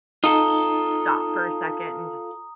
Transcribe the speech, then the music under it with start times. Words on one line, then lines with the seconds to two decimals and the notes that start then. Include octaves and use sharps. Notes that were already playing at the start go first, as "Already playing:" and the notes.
stop for a second and just
0.24 D#4 F4 A4 A#5 D#6 G7